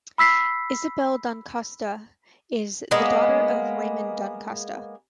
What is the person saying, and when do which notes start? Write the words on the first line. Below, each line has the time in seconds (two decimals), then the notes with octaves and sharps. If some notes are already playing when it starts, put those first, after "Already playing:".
Isabel Da Costa is the daughter of Raymond Da Costa.
0.18 B5 E6 B6 C7
2.91 G#3 A#3 B3